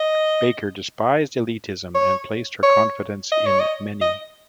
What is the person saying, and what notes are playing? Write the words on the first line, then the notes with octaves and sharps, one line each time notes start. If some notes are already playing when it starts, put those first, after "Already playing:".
Baker despised elitism and placed her confidence in many.
Already playing: D#5
C#5
C#5
D#5
C#5
D#5
D#5